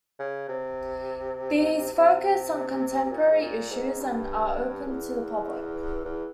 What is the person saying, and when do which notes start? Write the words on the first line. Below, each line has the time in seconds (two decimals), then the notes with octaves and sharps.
These focus on contemporary issues and are open to the public.
0.19 C#3
0.48 C3
1.95 C3
3.06 C3
3.11 A#2
3.30 G#2
3.40 A#2
3.71 G#2
4.00 G2
4.87 E2
6.05 E2